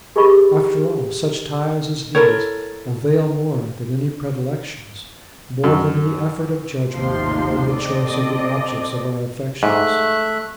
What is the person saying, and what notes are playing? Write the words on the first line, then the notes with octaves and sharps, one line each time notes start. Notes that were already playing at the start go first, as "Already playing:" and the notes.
After all, such ties as these avail more than any predilections, more than any effort of judgement in the choice of the objects of our affections.
G4 G#4 A#4 D#5 B5 C#6
E4 A4 A#4 C#5
F#2
A1 D#2 G#2 C3 F3 C6
C4 A4 D5 D#5
G#2 A3 E5 F#6